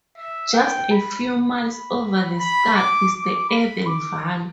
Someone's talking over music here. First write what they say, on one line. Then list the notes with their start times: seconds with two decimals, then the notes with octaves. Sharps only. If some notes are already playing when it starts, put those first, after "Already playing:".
Just a few miles over the scar is the Eden valley.
0.18 E5
0.54 G5
0.91 B5
1.28 B5
2.39 B5
2.75 D6
3.13 D6
3.50 B5
3.87 D6